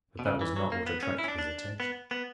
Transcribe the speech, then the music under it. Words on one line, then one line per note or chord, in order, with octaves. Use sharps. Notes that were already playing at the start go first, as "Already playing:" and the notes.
But that was not what attracted his attention.
B2
C#3
E3
F#3
A#3
B3
C#4
E4
C#4
D4
D4
B3
B3